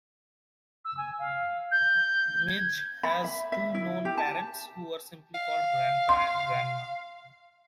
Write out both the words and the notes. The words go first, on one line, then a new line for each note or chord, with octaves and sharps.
Midge has two known parents who are simply called "Grandpa" and "Grandma".
E6
G#5
F5
G6
G#6
B5
E5
E5
E4
G4
A5
F5
C6